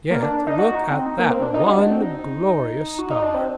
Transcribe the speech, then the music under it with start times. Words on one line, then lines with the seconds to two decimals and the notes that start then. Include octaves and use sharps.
Yet look at that one glorious star!
0.11 A#3
0.23 D4
0.47 D#4
0.59 F#4
0.75 D#4
0.90 C4
1.06 D#4
1.19 A#3
1.31 C4
1.42 D4
1.54 D#4
1.66 F#4
1.78 D4
1.90 C4
2.02 D#4
2.99 F#4
3.10 D#4
3.22 D4
3.34 C4